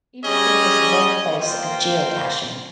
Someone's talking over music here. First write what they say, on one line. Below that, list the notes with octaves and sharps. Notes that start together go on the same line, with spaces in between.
Beavercreek is the birthplace of geocaching.
G3 C#4 G#4 D#5
A#3 F4 C5 G5